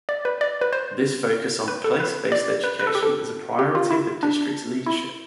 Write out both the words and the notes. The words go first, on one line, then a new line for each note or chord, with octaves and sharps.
This focus on Place-Based Education is a priority of the district's leadership.
D5
B4
D5
B4
C5
B4
A4
B4
D5
B4
B4
A4
G4
A4
G4
F4
E4
D4
E4